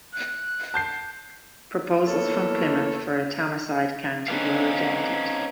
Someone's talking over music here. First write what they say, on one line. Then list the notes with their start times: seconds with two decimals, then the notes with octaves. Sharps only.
Proposals from Plymouth for a Tamarside county were rejected.
0.13 F#6
0.74 A5 G6 C7
2.06 E2 A#3 A4 C#5
4.28 C4 C#4 D#4 A4 B4 F5